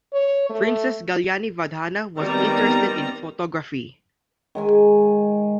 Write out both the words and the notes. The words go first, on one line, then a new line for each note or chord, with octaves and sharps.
Princess Galyani Vadhana was interested in photography.
C#5
A3
D#3 G3 B3 C4 A#5
D#3 G#3 G#5